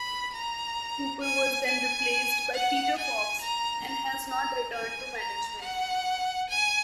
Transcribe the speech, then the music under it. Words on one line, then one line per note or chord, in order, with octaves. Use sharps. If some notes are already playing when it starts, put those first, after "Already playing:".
Cooper was then replaced by Peter Fox and has not returned to management.
Already playing: B5
A#5
G#5
G#5
F#5
G#5
A#5
A#5
A#5
G#5
A#5
F#5
G#5